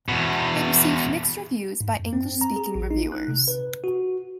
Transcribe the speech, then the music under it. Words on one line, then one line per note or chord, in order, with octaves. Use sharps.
It received mixed reviews by English-speaking reviewers.
E2 B2
G#2
F#2
C4
A#5
G#4
A1
D#4
F#6
C3
B4
F#4